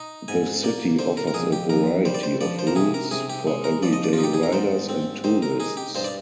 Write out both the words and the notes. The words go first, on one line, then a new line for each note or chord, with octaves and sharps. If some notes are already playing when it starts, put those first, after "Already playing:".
The city offers a variety of routes for everyday riders and tourists.
Already playing: D#4
G#2 G#5
A#3 D5
D3 C5
A#4
A#4
F2 G#4
G4
F2 A#4
G3 C5
D5
C5
F3 D5
C5
A#4
C3 G#4
A#4
C3 G#4
G4
G#3
A#4
F3 D5
D#5
D5
D#4 F4
G4
G#4
A#4
G#2 C5
C4
D#3 C5
A#4
D#4 G#4
G4
G2 C5
D5